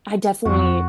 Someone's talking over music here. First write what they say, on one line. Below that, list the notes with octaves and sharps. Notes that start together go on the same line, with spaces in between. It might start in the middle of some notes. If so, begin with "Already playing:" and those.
I definitely,
F2 F#4